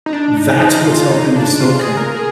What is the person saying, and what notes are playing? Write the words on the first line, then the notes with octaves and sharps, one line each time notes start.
that's what's helping the smoke come in.
D#4
D4
D#4
D#4
F4
D#4
D4
F4
G#4
A#4
G#4